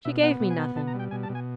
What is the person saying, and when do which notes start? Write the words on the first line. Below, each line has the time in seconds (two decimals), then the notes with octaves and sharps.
'She gave me nothing.
0.05 B2 E5
0.23 B3 F#5
0.40 B2
0.50 G#5
0.58 B3 A5
0.75 B2 A5
0.87 A#5
0.94 G3
0.99 G5
1.11 B2 G#5
1.23 A5
1.29 B2
1.35 G#5